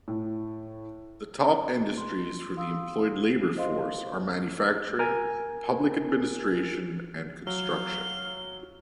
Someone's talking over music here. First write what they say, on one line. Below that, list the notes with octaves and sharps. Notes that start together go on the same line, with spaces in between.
The top industries for the employed labour force are manufacturing, public administration and construction.
A2
C6
F5 C6 D#6 E6
C7
C5 D#5 F5 C6
A#4 G#5
F#3 F5 G7